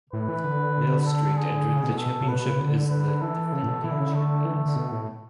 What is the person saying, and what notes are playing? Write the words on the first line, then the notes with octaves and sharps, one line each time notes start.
Millstreet entered the championship as the defending champions.
A2 B4
E3
D3
A4
G#4
D3
C#3
B2
A4
C#3
B2 B4
C#3
D3
B4
E3 A4
C#3
A2
B2
E3 E4
D3
C#3
D3
A3
E3
D3
D3
B2
A2